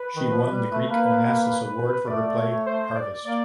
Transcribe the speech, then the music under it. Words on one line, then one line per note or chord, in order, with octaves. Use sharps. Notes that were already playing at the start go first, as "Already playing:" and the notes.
She won the Greek Onassis Award for her play "Harvest".
Already playing: B4
D#3
F3
G3
A3
A#3 B4
A3 D5
C#5
C5
D5
A#3 D5